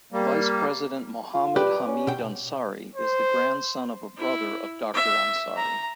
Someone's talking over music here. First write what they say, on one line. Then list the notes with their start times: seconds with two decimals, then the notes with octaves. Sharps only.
Vice President Mohammad Hamid Ansari is the grandson of a brother of Doctor Ansari.
0.12 G3 A#3
1.34 F4
1.56 G3 G4 B4 D5
1.87 C#4
2.07 B2 G5
2.95 C5
4.18 E4
4.94 E5
5.56 A#5